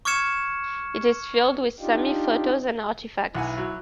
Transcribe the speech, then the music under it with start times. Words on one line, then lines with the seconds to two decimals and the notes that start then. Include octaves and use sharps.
It is filled with Sami photos and artifacts.
0.05 C#6 D6 F6 G#6 C#7 E7
1.80 D4 D#4 F4 G4
3.35 B1 E4 F#5 G#5
3.57 F#3